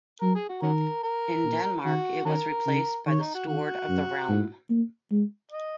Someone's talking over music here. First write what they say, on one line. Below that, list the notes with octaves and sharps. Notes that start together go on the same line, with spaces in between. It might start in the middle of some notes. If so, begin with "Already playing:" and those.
In Denmark it was replaced by the Steward of the Realm.
F#3 A#4
G#4
F#4
D#3 C#4 F#4 A#4
A#4
A#2
D#3 F#4
D#3 C#4 F#4 A#4
C#3
D#3 C#5
D#4
F#4
D#3 F#4
F#2
G#2
A#3
G#3
D#5